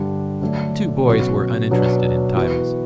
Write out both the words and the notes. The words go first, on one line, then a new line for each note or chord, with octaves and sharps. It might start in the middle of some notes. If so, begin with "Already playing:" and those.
The two boys were uninterested in titles.
Already playing: G2 D3 G3 D4
D3 F#3 A3 D4
B2 F#3 C#4 F#4
B2 F#3 B3 D4 F#4
E3 B3 F#4